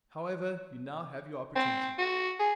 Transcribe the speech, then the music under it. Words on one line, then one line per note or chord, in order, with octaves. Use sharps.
However, you now have your opportunity.'
C4
F#4
G#4